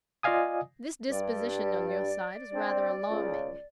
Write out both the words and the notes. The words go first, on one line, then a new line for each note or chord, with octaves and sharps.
This disposition on your side is rather alarming.
F4 D5 D#5 F5 G#5 D#6
G2 D5
C4 D4
C#2